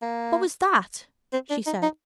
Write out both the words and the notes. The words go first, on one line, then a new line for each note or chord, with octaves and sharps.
"What was that?" she said.
A#3
C4
D4
D#4
D#4